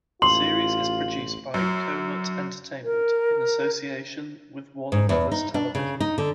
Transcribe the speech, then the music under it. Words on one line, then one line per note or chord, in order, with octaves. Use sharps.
The series is produced by KoMut Entertainment in association with Warner Brothers Television.
A1 F4 C6 F#7
F#2
A#4
G#2
E2
D#4
D4
C#3
D#4
D3